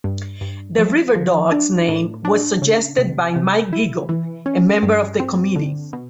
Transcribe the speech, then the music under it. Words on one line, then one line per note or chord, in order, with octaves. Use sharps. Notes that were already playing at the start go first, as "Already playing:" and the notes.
The "Riverdogs" name was suggested by Mike Geigel, a member of the committee.
G2
G2
F3
F3
D4
A2
D4
C#3
C3
C3
E4
E3
C#4
G2
C4
D3
B2